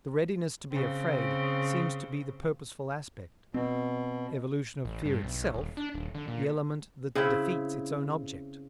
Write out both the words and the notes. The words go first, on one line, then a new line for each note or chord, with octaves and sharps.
The readiness to be afraid seems to be the purposeful aspect; evolution of fear itself, the element that defeats its own object.
C#3 C4
B2 C4
A1
G2
B1
D#1
D4
D#1
D3
A#2
C#3 C4 E4